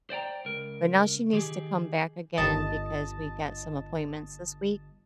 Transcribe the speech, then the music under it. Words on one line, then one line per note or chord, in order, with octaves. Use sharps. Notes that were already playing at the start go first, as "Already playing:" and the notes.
but now she needs to come back again because we got some appointments this week.
C5 D5 G5 A#5
C#2 A#4
D#3 G4 G#4
G1 D#5 A5